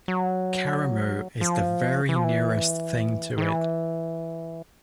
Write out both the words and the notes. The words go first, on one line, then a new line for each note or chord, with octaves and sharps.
Karamu is the very nearest thing to it.
F#3
F3
E3
F3
E3
D#3
E3